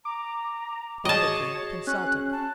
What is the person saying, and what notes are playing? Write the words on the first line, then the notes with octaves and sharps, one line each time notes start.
Barbicane consulted it.
A#5 D6
F#4 G#4 C#5 D#5 A5
C#4 F#6
A5